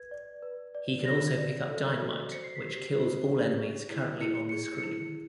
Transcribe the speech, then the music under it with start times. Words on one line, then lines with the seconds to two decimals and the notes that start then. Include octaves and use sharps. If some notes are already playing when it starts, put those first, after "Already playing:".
He can also pick up dynamite, which kills all enemies currently on the screen.
Already playing: B4 G#6
0.11 D5
0.42 B4
0.75 D5
1.05 F#4 A#6
1.37 D5
1.69 A4
2.00 F#4
2.31 C5 C#7
2.44 C7
2.55 B6
2.63 G4 C7
2.94 C5
3.26 G4
3.58 G#4
3.89 E4
4.21 E4 C#7
4.35 C#7
4.49 C#7
4.52 G#4
4.64 C#7
4.78 C#7
4.83 E4
4.93 C#7